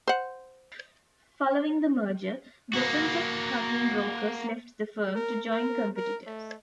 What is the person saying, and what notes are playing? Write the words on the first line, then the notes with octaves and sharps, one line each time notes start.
Following the merger, dozens of Hutton brokers left the firm to join competitors.
C5 F#5
A#3 F#4
A#4
A#4
A#4
A3